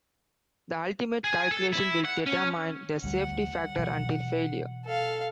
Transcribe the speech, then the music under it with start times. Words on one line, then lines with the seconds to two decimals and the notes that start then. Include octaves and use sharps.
The ultimate calculation will determine the safety factor until failure.
1.24 G#4
1.51 A4
1.73 E4
2.05 F#5
2.26 C#4
3.04 D2 G3 F#5
3.78 B2 E3 F#3
4.85 A4 F5